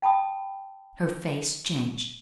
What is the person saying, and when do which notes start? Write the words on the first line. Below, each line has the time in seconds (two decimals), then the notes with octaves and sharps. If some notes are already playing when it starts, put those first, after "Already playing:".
Her face changed.
0.02 G5 A5 B5 D#6